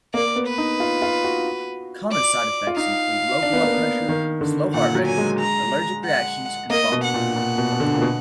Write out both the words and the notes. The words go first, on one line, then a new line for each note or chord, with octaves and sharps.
Common side effects include low blood pressure, slow heart rate, allergic reactions, and vomiting.
A#3 D5
B3
B4
D#4
F4
F4
F#4
D5
F4
D#4 F5
D4
B3
A#3
B3
D#3
D3
A#2 F#5
F#3
G#5
G#3
A#5
F#5
A#3 D#5
B2
F#5
A#2
A#2
B2
B2
D3
A#2
B2